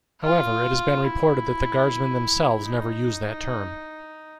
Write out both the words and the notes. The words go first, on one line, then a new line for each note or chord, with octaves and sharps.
However, it has been reported that the guardsmen themselves never use that term.
F4
E4
D#4